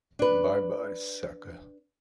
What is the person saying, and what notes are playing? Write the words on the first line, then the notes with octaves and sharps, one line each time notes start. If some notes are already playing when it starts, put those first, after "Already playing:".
Bye-bye, sucker!
D4 B4